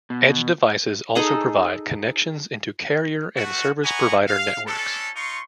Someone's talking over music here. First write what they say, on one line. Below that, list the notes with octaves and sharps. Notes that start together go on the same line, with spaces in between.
Edge devices also provide connections into carrier and service provider networks.
B2
D#4 G#4 A4 A#5
A3 F#4
B4 D#5 F#5 G#5 A#5 C#6
F5
C#4 D4 E4 A4
D#4 F4 C6 C#6